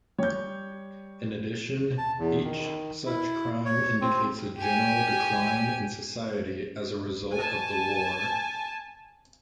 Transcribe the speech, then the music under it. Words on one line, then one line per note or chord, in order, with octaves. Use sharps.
In addition, each such crime indicates a general decline in society as a result of the war.
G3 C#5 G6
A5
E2
D#3
E4
C#5
C4
G4 G#5
G#5 A5